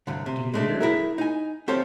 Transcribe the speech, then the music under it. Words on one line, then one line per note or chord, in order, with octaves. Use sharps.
Do you hear?
C2 G2 D3
C3
G#3 A3 D4
E4 G#4 A#4 E5
D#4 G#5
C4 G4 A4 C5 C#5 F5